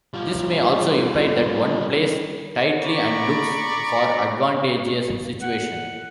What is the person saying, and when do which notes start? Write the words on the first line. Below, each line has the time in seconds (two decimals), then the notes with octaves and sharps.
This may also imply that one plays tightly- and looks for advantageous situations.
0.14 G3 F4
2.83 D5 A#5 B5 C#6 D6
5.42 F#5